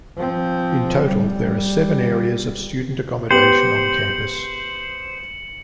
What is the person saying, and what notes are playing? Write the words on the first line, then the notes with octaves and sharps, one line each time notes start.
In total there are seven areas of student accommodation on campus.
F3 C4
G3
B3 G4 C5 C#7 F#7